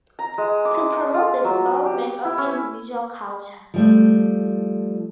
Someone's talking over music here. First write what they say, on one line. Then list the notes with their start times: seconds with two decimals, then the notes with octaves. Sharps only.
To promote the development of individual culture.
0.19 A#5
0.38 G#3
0.65 D6
1.14 F4
1.45 F#3
1.86 G4
2.25 E4
2.38 C#4
3.74 F3 G3 A3